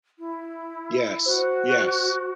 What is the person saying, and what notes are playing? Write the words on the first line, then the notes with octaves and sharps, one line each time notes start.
Yes, yes,
E4
F#4 C5